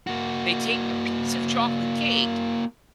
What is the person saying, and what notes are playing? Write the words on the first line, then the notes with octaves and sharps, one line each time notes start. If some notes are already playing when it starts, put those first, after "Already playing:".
They take a piece of chocolate cake,
A#3 F#4